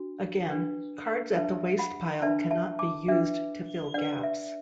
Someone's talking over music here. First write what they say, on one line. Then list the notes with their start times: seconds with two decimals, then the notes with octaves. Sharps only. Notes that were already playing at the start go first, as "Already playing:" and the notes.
Again, cards at the wastepile cannot be used to fill gaps.
Already playing: D4 F#4
0.50 D4 B4
1.36 D4 B4 E5 A5
1.79 F#5 B5
2.22 D4 B4 E5 A5
2.51 E5 A5
2.79 A5 D6
3.08 D4 B4 E5
3.94 D4 B4 D5 F#5
4.23 E5